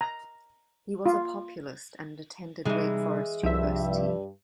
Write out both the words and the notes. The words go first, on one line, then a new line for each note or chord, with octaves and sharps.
He was a Populist and attended Wake Forest University.
A#5
F4
C3 E3 G3 G#3 D#4
C2 G2 F3 E5